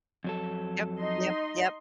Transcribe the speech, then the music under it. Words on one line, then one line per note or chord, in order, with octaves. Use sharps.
Yep, yep, yep.
F2 F#3 A4
D#4 D#5 C6